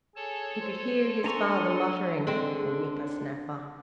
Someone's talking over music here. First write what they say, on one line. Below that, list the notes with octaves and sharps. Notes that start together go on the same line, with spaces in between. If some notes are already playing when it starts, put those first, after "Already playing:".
He could hear his father muttering "Whipper-snapper!"
G#4 A4 C#5 A5
C5
D4 A4 F#5 G#5 A#5 C6 C#6
D3 G#3 C4